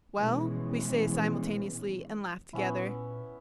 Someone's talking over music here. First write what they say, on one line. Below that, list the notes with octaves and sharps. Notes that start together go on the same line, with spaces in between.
"Well?" we say, simultaneously, and laugh together.
B2 E3 F3 G#3 B3 C#4
A#2 B3 C#4 E4